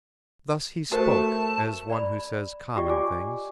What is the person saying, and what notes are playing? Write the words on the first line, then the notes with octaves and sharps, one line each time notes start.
Thus he spoke, as one who says common things.
A3 F#4 A#4 C5 A5
D5 A#5 B5
F4 G4 D5 D#5 G5 C#6
F4 C#5 D5 G5 G#5 D6